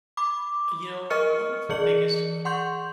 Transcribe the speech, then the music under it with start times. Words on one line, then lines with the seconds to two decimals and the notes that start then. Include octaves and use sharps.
You know, one of the biggest, uh,
0.17 B5 D6
1.10 A#4 D#5 C#6 F6 C#7
1.69 E3 G#4 D5 C#7 F#7
2.45 F#5 C6 C#6 G6